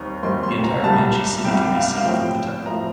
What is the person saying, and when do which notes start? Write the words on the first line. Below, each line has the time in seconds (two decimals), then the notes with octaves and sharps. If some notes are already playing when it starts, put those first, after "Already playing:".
The entire Ranchi city can be seen from the temple.
Already playing: D#2 D#3 G3 C4 A#5
0.23 D#2 D#3 G3 C4 C6
0.43 C6
0.64 A#5
0.84 C2 C3 G3 A5
1.15 A#5
1.44 C2 C3 G3 G5
1.75 F5
1.96 F5
2.05 A2 F3 C4 G5
2.66 A2 F3 C4 A#5